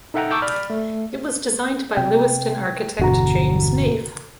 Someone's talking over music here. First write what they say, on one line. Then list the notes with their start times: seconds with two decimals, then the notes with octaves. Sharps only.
It was designed by Lewiston architect James Nave.
0.14 D#4 A4 E5 F#5 G5 A#5
0.31 A5 C#6 D6 E6 G6
0.42 D5 B5 F6
0.70 A3
1.97 C3 G5
2.99 G1 E2 B2 D3 F#4 A#5